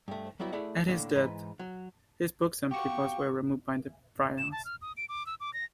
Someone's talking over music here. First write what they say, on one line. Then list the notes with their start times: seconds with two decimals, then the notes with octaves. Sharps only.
At his death, his books and papers were removed by the friars.
0.08 G2 A3
0.40 F#3 G3 B3 E4 F#4
0.53 A3 E4 G#4 D5 E5 F#5
0.87 A2 D3 A3 A#3
1.15 G#2 E3 B4
1.59 F#3
2.71 F#4 G4 F5 G5 C#6
4.38 E7
4.52 A5
4.65 F6
4.82 D#6
4.97 D7
5.09 D6
5.26 E6
5.40 D6
5.54 A#6